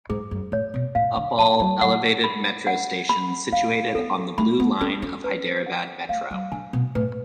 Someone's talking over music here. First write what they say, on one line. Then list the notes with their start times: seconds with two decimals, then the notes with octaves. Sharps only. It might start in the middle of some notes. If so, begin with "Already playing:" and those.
Uppal elevated metro station situated on the Blue Line of Hyderabad Metro.
0.10 G#2 G#4
0.31 F#2
0.52 A2 C#5
0.74 B2
0.95 A2 F5
1.17 D3
1.38 F3 A5
1.60 F#3
1.81 F#3 F#5
2.24 B5
2.67 F#5
3.09 B5
3.52 G#3 F5
3.95 B3 A4
4.38 A3 B5
4.60 B3
4.81 C#4 A4
5.02 C#4
5.24 B4
5.66 F#5
6.09 A3 F5
6.31 F#3
6.52 D3 G#5
6.73 B2
6.95 A2 B4